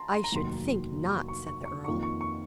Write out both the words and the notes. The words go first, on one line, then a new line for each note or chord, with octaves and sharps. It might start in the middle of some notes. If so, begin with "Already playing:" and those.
"I should think not," said the earl.
Already playing: A5 A#5 C6
C6
A#5
F1 D#2 D#3 F#3 C6
C#6
C#6
C#6
C#6
F2 D#3 A#3 F4 C#6
C#6
C#6